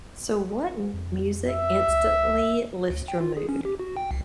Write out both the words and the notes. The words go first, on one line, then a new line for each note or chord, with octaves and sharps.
So, what music instantly lifts your mood?
F2
E5
C#2
D2
G5
F4
G#4
C#4
G4
F#4
G5
C2